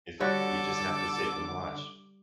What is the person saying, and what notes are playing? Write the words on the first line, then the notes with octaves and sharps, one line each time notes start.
It's j you just have to sit and watch.
D3 G3 F#4 A4 C#5 D6